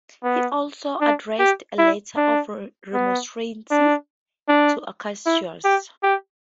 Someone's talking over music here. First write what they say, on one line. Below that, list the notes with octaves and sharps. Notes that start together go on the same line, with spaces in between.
He also addressed a letter of remonstrance to Acacius.
B3
D4
G4
E4
D4
B3
D4
D4
E4
G4
G4